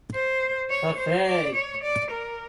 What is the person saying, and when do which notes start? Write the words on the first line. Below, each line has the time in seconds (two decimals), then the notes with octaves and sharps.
The Fig.
0.14 C5
0.70 C#5
0.99 C5
1.27 D5
1.55 C#5
1.83 D5
2.11 A#4